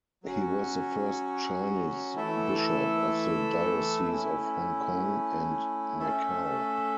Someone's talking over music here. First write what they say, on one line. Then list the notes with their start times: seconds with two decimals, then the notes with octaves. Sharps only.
He was the first Chinese bishop of the diocese of Hong Kong and Macao.
0.23 F#3 C#4 F#4
2.14 E3 A3 E4 A4 E5
4.07 A3 C#4 E4
5.98 A3 C#4 A4 E5